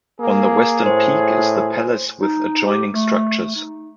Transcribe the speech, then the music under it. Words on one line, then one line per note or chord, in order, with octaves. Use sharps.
On the western peak is the palace with adjoining structures.
A#3 G#4
A2 C5
D#4
G4
A3
D#4